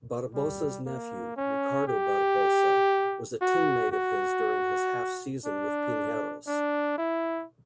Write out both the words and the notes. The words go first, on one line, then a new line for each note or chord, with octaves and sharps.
Barbosa's nephew, Ricardo Barbosa, was a teammate of his during his half-season with Pinheiros.
G3
A#3
C#4
G4
F#4
F#4
D4
D4
E4